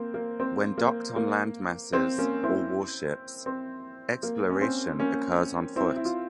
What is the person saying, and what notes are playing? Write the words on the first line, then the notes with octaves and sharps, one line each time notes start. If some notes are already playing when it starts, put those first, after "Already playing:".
When docked on landmasses or warships, exploration occurs on foot.
Already playing: A#3 C4
A#3
C4
A#3
A#3
C4
A#3 C#4
C4 E4
C4
A#3
C#4
C4
A#3 C#4
C4 E4
E4
F4